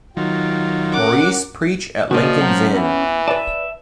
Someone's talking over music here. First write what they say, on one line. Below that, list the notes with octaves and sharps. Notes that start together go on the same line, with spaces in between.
Maurice preach at Lincoln's Inn.
D#3 F#3 F4 G5
C#4 A#4 F#5 D6
C#3 F3 A#3 F#4 D5 D#5
F#2 C#4 F#5 G5
E3 B3
B4 D5 E5 A5